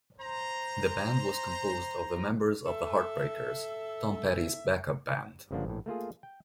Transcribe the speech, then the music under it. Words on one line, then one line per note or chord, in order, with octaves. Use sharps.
The band was composed of the members of The Heartbreakers, Tom Petty's backup band.
C5 A#5
A4 E5
G1 C#3 F3 A#3 D4 F#5
A#1 A2
A3 A#3 F4 G#4
G5